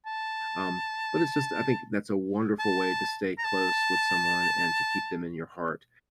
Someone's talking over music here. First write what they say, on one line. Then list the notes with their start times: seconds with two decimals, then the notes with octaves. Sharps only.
Um, but it's just I think that's a wonderful way to stay close with someone and to keep them in your heart.
0.06 A5
2.59 A5
3.38 A#5
3.45 A5